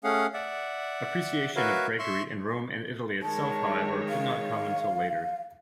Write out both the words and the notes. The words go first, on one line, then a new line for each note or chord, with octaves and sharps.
Appreciation of Gregory in Rome and Italy itself, however, did not come until later.
A3 C#4 G#4 F5 F#5
D5 E5 F#5
F#4 A#4 B4 C#5 E5 F5
E5 C6 C#6
D#3 G#3 C#5 A5
F5